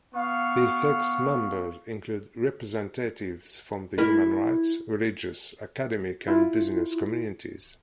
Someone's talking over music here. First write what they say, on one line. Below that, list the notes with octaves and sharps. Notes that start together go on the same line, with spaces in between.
These six members include representatives from the human rights, religious, academic, and business communities.
B3 F5 C#6
E4 A#4
E4 F4